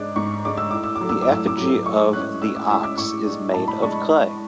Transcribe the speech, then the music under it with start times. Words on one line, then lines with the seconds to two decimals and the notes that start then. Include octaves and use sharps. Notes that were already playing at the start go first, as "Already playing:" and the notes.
The effigy of the ox is made of clay.
Already playing: G#2 G#3 D4 D6 F#6
0.16 G#2 C#6
0.45 G#3 D4 D6
0.57 E6
0.71 A2 D6
0.84 E6
0.96 D6
1.01 F#3 A3
1.09 E6
1.22 D6
1.30 A2 E6
1.47 D6
1.57 F#3 A3
1.85 A2 C#6
2.13 G#3 C#4 E4 F#6
2.42 A2 E6
2.55 D6
2.70 G#3 C#4 E4 E6
2.83 D6
2.97 A2 C#6
3.26 G#3 D4
3.54 A2 A5
3.68 B5
3.82 G#3 D4 C#6